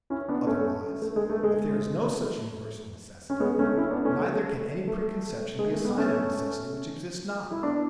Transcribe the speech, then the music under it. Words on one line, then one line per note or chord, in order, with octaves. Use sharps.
Otherwise, if there is no such universal necessity, neither can any preconception be a sign of a necessity which exists not.
C#4 E4
B3 D4
A3 C#4
A3
G#3
A3
G#3
A3
C#4
G#3 B3
A3 C#4
C#4 E4
B3 D4
A3 C#4
A3
A3
G#3
A3
B3
A3 C#4
E4
B3 D4